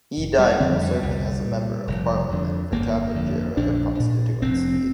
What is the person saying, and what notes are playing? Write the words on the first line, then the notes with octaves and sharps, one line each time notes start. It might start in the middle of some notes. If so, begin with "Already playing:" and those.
He died while serving as the member of parliament for Kapenguria Constituency.
F1
G3
F2 D3 C4
G3
C2
A#2
F1
F2 D3
G1 A#3
F2 D3
A#1 D4
A#2
F1 C4